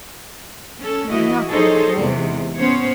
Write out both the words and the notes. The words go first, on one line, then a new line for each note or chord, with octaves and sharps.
"You are not going away, Magdalen?"
C#4 A4
E3 E4 F#4 D#5
D#4 G#4 A4 C5 C#5 D#5
E2 C3 G#3
B3 C#4 C5 C#5